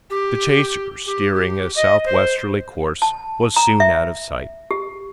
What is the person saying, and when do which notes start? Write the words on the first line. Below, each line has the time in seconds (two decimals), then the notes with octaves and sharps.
The chaser, steering a south-westerly course, was soon out of sight.
0.10 G4
1.06 G4
1.33 G4
1.76 D#5
2.05 C5
3.02 A5
3.56 A#5
3.80 E5
4.71 G4